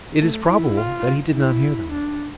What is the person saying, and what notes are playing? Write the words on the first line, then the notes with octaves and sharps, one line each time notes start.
It is probable that he did not hear them.
A3
E4
F4
E4
D4